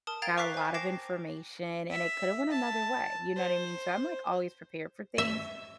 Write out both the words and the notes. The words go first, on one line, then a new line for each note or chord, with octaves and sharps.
got a lot of information, and it could've went another way, you know what I mean? So, I'm, like, always prepared for things.
A#4 A5 D#6
F5 G5 A#5 G#6 A6 D7
C#6 D6 F#6 B6 C7
C5 G#5
G5 D6 A#6 C7 E7
E5
A5
C5
E5